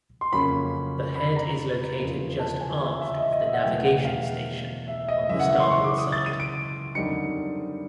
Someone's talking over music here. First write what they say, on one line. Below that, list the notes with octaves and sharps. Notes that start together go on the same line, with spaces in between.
The head is located just aft of the navigation station on the starboard side.
C6
F2 C#3 F#3 A#3 C#4 B5
B5
A#5
E2 C#3 F3 A#3
A5
G#5
E5
E5
D#5
E5
D#5
E5
F#5
E2 B2 F#3 A3 G5
F#5
F5
E5
D#5
F#2 C#3 E3 E5
F#5
F#5
C6
C#6
D6
D#6
A6
D#7
D7
F#2 D3 G3 C4 D#4 C#7